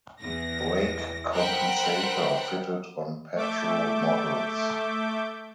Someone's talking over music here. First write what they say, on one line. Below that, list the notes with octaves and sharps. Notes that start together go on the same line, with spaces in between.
Brake compensator fitted on petrol models.
E2 A#6
A#4 C5 F#5 G5 B5 F#6
A3 E5 D6 G6